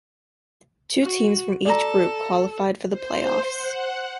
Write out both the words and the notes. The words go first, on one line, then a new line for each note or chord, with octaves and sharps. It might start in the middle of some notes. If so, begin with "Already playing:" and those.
Two teams from each group qualified for the playoffs.
F#4
A4 D5 A#5
C5
F#5